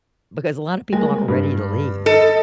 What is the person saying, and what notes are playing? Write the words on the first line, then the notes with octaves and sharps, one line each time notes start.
because a lot of people aren't ready to leave,
G3 G#3 A#3
G2
A4 D#5